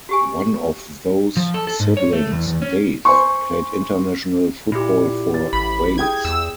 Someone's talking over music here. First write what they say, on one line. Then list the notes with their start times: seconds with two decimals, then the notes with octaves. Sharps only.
One of those siblings, Dave, played international football for Wales.
0.09 F#4 G4 G#5
1.37 F3
1.54 A4
1.67 A4
1.80 G#2
1.97 C#5
2.13 A3
2.31 E2
2.48 E2
2.62 C#4
3.05 C5 G#5 C6 C#6
4.72 A#2 E4 G4
5.34 A6
5.53 A1 B5
5.98 G#4 G5 D#6 G#6
6.25 E2 E6